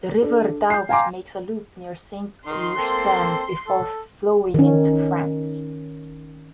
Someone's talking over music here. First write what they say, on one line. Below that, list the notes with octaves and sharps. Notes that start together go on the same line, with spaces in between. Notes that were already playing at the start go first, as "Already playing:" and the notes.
The river Doubs makes a loop near Saint-Ursanne before flowing into France.
D4 A4
G6 C7
F5 G5 G#5 A#5 C6 D6
D#3 C6
A#3 C4 A4
A4
D#3 C#4